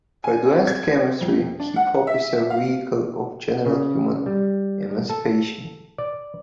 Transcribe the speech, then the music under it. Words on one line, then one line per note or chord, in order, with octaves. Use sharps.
For Advanced Chemistry, hip hop is a "vehicle of general human emancipation,".
G#5
C4
G#6
C4
F2
D4
F#5
E5
F5
C#3
G3
A4
D5